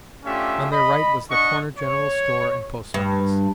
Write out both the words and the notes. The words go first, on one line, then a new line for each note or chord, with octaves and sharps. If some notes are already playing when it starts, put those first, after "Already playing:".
On their right was the corner general store and post office.
A3 C#4 D4 F4 G4 E5
D#5 B5
D4 D#5 F#5 C#6
C#5
G2